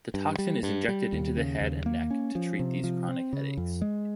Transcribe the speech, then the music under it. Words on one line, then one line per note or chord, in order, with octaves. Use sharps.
The toxin is injected into the head and neck to treat these chronic headaches.
G2
G3
G2
G3
D#2
C#3
D#2
A#3
C#4
F3
C3
F3
C4
C#3
F2
G#3